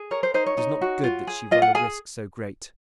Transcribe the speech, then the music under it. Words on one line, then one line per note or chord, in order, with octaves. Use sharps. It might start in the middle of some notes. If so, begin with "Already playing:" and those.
It is not good that she run a risk so great.
Already playing: G#4
A#4 C#5
C5
D#4 C5
C#5
D#4
F#4
F4
G#4
F4 D#5
F#5
G#4 G#5